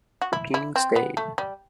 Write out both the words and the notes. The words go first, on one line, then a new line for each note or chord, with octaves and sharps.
The King stayed.
F#4
E4
E4
C4
B3
A3
G3